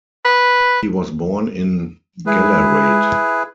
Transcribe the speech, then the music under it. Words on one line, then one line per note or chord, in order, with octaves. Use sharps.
He was born in Gallarate.
B4
G#3 E4 G#4 B4